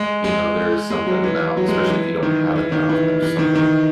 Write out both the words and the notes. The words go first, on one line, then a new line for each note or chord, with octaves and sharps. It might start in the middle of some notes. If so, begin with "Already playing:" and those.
you know, there is something about especially if you don't have it that often, there's something
Already playing: G#3
G#3
G#3
F#3
E3
F#3
G#3
F#3
E3
D#3
E3
D#3
E3
E3
D#3
D#3